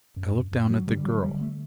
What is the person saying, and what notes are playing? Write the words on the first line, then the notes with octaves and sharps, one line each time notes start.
I looked down at the girl.
F#2
F#2
F#3
D3 G3
F#3
D3 G3
A3